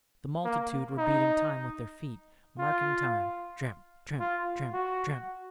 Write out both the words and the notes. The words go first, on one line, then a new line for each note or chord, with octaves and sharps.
The multitude were beating time with their feet--marking time, tramp, tramp, tramp, tramp.
A#3
D#4
F4
F4
F#4